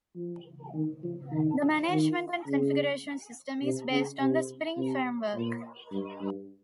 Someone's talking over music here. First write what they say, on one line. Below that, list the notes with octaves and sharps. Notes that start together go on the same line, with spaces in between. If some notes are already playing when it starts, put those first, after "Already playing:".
The management and configuration system is based on the Spring Framework.
F3
D#3
F3
D#3
D#3
C#3
C3
C#3
C3
C3
A#2
G2
G2